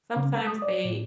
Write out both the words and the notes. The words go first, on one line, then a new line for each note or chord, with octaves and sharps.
Sometimes they
C#3
G#3
D#6
D5
A2